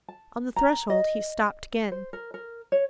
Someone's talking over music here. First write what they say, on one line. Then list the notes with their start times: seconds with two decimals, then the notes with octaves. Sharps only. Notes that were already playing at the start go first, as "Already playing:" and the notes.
On the threshold he stopped again.
0.08 A5
0.56 A#5
0.90 D#5
1.92 C5
2.13 A#4
2.34 A#4
2.72 C#5